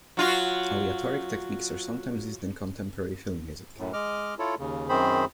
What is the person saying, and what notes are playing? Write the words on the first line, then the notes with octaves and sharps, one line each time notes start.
Aleatoric techniques are sometimes used in contemporary film music.
F#3 F4 F#4
F#2 A2
G#3 D#5 D6 F6
E4 F4 A4 C#5
D#2 C#3
F#2 D#3 C4 G#4 C5 B5